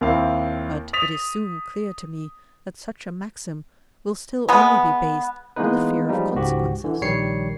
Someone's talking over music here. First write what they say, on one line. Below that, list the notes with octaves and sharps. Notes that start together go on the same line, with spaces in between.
But it is soon clear to me that such a maxim will still only be based on the fear of consequences.
D#2 A#3 C4 E4 F5
D#6 A6 B6 F7
G#3 B3
E3 G#3 A#3 B3 D#4 B4
F3 G3 G#3 A#3 D#4
C#2 G#2 F#4 G4
D3 E3
A#1 D#3 G3 C#5 C7 C#7